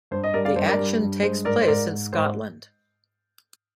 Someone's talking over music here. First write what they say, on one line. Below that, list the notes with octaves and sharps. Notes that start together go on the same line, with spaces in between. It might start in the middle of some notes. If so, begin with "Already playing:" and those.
The action takes place in Scotland.
G2 C5
D#5
G3 A#4 D5
D5 F5
G2 C5
A#4 D5
G3
G2
G#3 C5
G#2 A#4 D5
C5
G#2 A#4 D5
G#2
G#2 C5